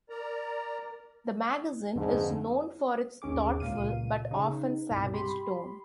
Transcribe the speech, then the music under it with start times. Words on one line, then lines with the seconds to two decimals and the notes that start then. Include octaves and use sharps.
The magazine is known for its thoughtful but often savage tone.
0.10 A#4 D5 A#5
1.96 F2 G#2 D3
3.22 G1 D#2 C#4 G#4 D6
3.60 C#2 A#2 F5 D#7
4.31 C#3 D#4
4.89 C2 G2 B2
5.13 G4 B5 C6